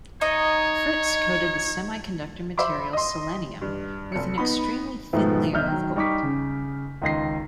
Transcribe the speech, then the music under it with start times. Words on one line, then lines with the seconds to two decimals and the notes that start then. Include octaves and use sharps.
Fritts coated the semiconductor material selenium with an extremely thin layer of gold.
0.21 D#4 C#5 D#5
2.58 C5 E5 B5 D6
2.93 D#5 C6
3.61 G2
4.12 F1 C#7
4.38 B3 D#4 B5
5.13 G#2 B2 D#3 F3 A3 B3
5.53 B1 D#5 E5 F6 G6
5.68 D#3 F#3
5.96 G3 D#4 C#6 D6 B6
6.23 C#3
7.02 C#2 D#3 D#5 C6 A#6 C7